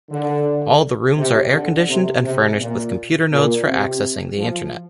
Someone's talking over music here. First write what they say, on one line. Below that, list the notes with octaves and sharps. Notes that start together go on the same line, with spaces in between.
All the rooms are air-conditioned and furnished with computer nodes for accessing the Internet.
D3
C3
D3
C3
C3
A#2
A#2
C3
F3